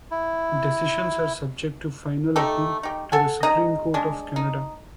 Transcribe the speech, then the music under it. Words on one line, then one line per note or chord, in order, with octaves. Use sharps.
Decisions are subject to final appeal to the Supreme Court of Canada.
E4
A3 D#4 G4 A4
D#4 G4
A4 F#5 G#5
G#3 D#4 D#5 A#5
G#3 D4
D#4